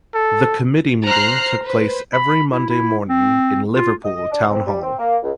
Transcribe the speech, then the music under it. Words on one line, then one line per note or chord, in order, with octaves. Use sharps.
The Committee meeting took place every Monday morning in Liverpool Town Hall.
A4
C5 A#5 F6 F#6 C7
B4 C5
B5
E4
E4
C4
F4
D#5
D4
C4
G3
C4
A#3
C#2